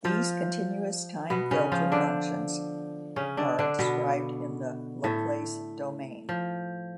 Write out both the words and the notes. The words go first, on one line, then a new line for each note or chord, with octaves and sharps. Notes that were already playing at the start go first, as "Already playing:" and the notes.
These continuous-time filter functions are described in the Laplace domain.
F3 F4
B2 B3
C#3 C#4
F3 F4
D3 D4
C#3 C#4
D3 D4
D3 D4
B2 B3
A2 A3
F3